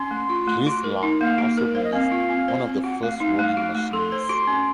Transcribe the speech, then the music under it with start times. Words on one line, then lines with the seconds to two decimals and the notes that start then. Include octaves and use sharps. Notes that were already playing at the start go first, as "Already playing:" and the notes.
RizLa also released one of the first rolling machines.
Already playing: C#4 C6
0.11 A3
0.29 F4
0.47 A3
0.67 F#4
0.84 A#4
1.03 D#4
1.21 A#3 F5
1.38 F#4
1.57 A#4
1.75 C5 F5
1.84 D#5
1.93 C4 F5
2.12 F4
2.30 C4
2.48 C5
2.67 C4
2.84 F#4 F#5
3.02 A3 F5
3.20 D#4 F5
3.39 A3
3.57 F#4
3.75 A3
3.93 A4 C6
4.12 C5
4.29 F#4
4.47 C#4